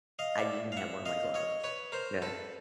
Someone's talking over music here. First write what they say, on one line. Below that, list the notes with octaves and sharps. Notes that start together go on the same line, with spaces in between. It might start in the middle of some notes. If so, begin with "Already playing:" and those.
I didn't have one of my gloves. 'Kay?
D#5 F5
D5 E5
F5
E5 F#5
D#5 F5
C#5 D#5
B4 C#5
A#4 C5
A4 B4